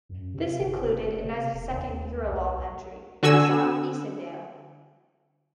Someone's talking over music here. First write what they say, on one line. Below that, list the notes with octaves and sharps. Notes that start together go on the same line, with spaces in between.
This included Ines' second "Eurolaul" entry, the song "Iseendale".
F#2
C3
G1
F#1
C3
E1
D#2
B1
B1
D3 F#4 G#5 E6